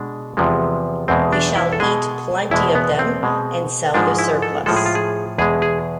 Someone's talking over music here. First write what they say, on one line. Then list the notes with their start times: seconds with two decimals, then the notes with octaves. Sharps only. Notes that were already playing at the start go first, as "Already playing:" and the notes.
We shall eat plenty of them and sell the surplus.
Already playing: B2 G#3 D4
0.37 E2 C3 F3 G#3
1.08 E2 B2 G#3 C4
1.33 D4
1.56 E4
1.73 A4
1.80 B2 G#3 G#4
2.51 E2 B2 G#3 E4
2.75 B3
2.99 C4
3.23 B2 G#3
3.94 G#2 F3 G#3 D4
4.18 E4
4.42 A4
4.66 A2 F3 G#3 A4
4.76 G#4
4.86 F4
4.95 G#4
5.38 E2 B2 G#3 G#4
5.62 G#4